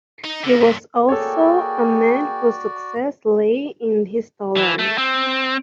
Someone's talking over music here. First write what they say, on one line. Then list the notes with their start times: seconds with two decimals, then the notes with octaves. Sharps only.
He was also a man whose success lay in his tolerance.
0.24 D#4
0.44 D3 A#3
0.61 G2 C3
1.09 A#3 F#4 G#4 A4 C#5 D5 G5
4.57 E3
4.79 A3
4.98 C4